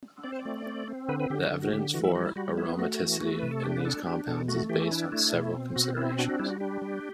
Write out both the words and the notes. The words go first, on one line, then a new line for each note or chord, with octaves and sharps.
The evidence for aromaticity in these compounds is based on several considerations.
C4 D5
C5
D5
A3
C4
C4
D3 B4
B4
D3 G4
F#4
D3
F#4
D3 G4
E3 F#4
E5
G3 F#4
E4
G3 F#4
B3 E4
A3 F#4
E3
A3
C3 B4
A4
D4 G4
B4
D4 A4
D4 G4
B2 A4
A3 F#4
E3 G4
D4 E4
A3 E4
B2
C4
B2 F#4
C4 E4
D4 F#4
F#4
G3 E4
F#4
D4 G4
G3